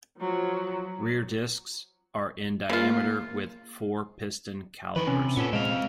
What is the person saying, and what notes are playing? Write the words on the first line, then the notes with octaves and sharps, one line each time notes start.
Rear discs are in diameter with four-piston calipers.
F3 F#3
C#3 A#3 F4
D#3 E3 B4
C3 C#4
A#2 B3 C#4 A4
G#3 C4 F5